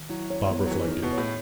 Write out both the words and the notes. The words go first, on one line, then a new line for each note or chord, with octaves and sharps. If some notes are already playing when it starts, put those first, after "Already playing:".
Bob reflected.
Already playing: D#3
F#3 E4
C#5
B3
F#3
E3 G#4
D#3
E4
B2
A2 C#5